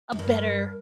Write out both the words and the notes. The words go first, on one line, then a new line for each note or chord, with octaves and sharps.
a better
F#2
G2 A#4